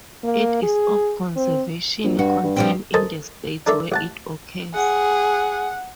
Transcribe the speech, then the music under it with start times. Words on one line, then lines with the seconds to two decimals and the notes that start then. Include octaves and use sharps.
It is of conservation concern in the states where it occurs.
0.24 A#3
0.63 G#4
1.36 C4
2.04 A#1
2.19 G2 F#4
2.43 G2
2.56 F3 G3 C4
2.94 A4 A#4 C5 D#5 G#5 A5
3.66 D4 A4 A#4 D5 E5
3.92 A1 F#5 A5
4.75 G#4 F#5